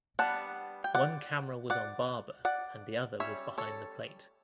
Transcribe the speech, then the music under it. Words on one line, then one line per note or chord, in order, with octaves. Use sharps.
One camera was on Barber and the other was behind the plate.
G3 B3 D4 F#5 A5
G5
D5 F#5
D5 F#5
D5 F#5
G3 C#4 C#5 E5
A4 C#5